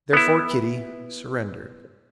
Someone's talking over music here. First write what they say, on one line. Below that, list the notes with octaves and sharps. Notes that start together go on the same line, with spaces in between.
Therefore Kitty surrendered.
B3 E4